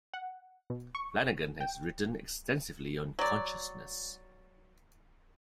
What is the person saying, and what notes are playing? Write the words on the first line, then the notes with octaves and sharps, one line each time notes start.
Flanagan has written extensively on consciousness.
F#5
B2
C#6
G5
F#3 D5